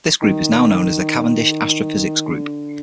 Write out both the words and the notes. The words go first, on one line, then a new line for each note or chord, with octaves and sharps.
This group is now known as the Cavendish Astrophysics Group.
D#3
D3